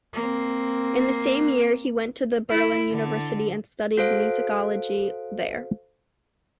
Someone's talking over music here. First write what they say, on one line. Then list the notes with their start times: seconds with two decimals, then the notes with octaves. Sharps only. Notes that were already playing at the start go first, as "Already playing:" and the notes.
In the same year he went to the Berlin University and studied musicology there.
0.13 A#3 C4
2.50 E4
2.91 D3
3.97 F#4 A4 C5 F5 D7